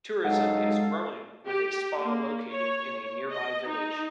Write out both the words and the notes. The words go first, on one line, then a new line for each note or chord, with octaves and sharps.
Tourism is growing, with a spa located in a nearby village.
G#2 F#3 G#3 D#4 A4 F5 F#5
G4
A#3
C#5
D#5
D#4